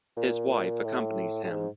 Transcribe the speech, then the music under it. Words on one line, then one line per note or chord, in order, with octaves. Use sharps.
His wife accompanies him.
A#2
A2
A2
G#2